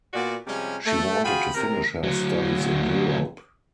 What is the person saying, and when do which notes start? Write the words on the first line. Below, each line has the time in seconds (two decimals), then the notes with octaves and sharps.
She wanted to finish her studies in Europe.
0.14 A#2 B3 F#4 D5
0.47 C3 F3 G3 G#3 C#4
0.85 A3
1.24 F4 F#4 G#4 G5 B5
1.54 C3 A#4
2.04 D2 F#3